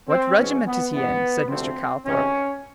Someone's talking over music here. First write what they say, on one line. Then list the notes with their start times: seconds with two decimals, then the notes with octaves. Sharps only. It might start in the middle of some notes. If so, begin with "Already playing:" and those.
"What regiment is he in?" said Mr. Calthorp.
0.08 C4
0.36 E2 B2 G#3 C#4
0.65 B3
0.93 G#2 E3 G3 B3
1.48 D2 C3 F3 A3 C4
2.05 C#2 C3 D#3 C#4